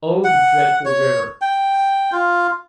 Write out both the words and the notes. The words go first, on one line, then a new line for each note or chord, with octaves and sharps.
Oh, the dreadful river!'
F#5
C#5
G5
F4